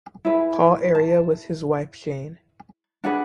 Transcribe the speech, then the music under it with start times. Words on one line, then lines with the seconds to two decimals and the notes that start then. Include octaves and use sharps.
Paul area with his wife, Jane.
0.25 E4 G#4 B4
0.95 A5
3.04 D4 G#4 B4 F#5